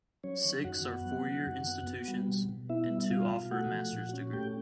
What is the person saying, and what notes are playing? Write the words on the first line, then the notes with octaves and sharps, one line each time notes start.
Six are four-year institutions, and two offer a master's degree.
F#3 C#4 C#5
D#3
F#2 F#4 F#5
B3
F#3
D#3
F#2
B3
B3
G3
B2
B2
B3 E4 E5
G3
B2 F4 F5
B2
A3 F#4 F#5
F3
A#2
C#4
A3 G4 G5